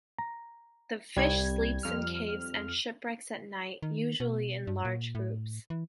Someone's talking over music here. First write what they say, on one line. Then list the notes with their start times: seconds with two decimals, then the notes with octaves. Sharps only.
The fish sleeps in caves and shipwrecks at night, usually in large groups.
0.18 A#5
1.17 C2 G3 G#6
1.83 F2 F6
3.82 D#3
4.20 B2
4.67 G2
4.85 A#2
5.15 A2
5.70 E3